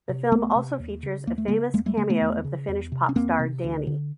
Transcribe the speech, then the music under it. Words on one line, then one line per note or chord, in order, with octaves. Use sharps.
The film also features a famous cameo of the Finnish pop-star Danny.
C3
C2 A3 B3
C3
D#2
C#3
D#2 A#3
A3
C#3 G#3 A#3
E2 G#3 A#3
G3 A3
C#3 G#3 A#3
A3 B3
E2
C#3
E2
C3
C#4
E2 A#3 C4
C3
D2
D3